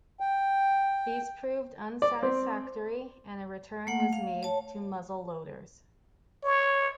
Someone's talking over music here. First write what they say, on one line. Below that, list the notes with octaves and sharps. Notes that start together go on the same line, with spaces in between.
These proved unsatisfactory and a return was made to muzzle loaders.
G5
D5
C4
A3 A#3 F#5
A3
F5
C#5 A5
C#5